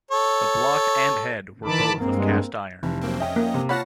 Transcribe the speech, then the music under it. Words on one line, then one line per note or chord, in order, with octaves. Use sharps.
The block and head were both of cast iron.
A4 C#5
D#3 E3 A5 B5 D6
G2 G#3 A#3 C4
F1 E3
F#3 A#3 C4
F2 C#4 D#5 E5 G5
A#3
C3
F4 C#5 F5 F#5 A5 B5 A#6